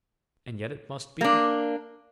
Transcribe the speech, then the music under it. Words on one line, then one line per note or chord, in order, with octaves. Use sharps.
And yet it must be.
A#3 D4